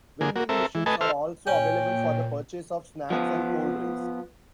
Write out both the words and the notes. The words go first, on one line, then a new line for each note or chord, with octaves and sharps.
Vending machines are also available for the purchase of snacks and cold drinks.
D3 A#3 G#4
A#3 F#4
C4 A4 A#4 E5
E3
A3 B4 D#5 G#5 A5
A4 C5 E5 F6
A#2 C#4 G5
F3 B3